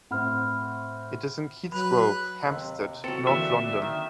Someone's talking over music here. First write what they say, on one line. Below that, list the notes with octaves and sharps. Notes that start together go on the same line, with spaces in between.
It is in Keats Grove, Hampstead, north London.
A2 C4 F#5 B5 F6
F#3 B4 B5 F7
D#2 C3
F#3 C4 A4 C#7
D3 E3 A#3 E5
D#3